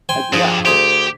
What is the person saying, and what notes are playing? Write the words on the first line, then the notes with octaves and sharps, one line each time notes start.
as well.
C5 G5 G#5
G2 F3 G#4
D2 G4 G#4 C5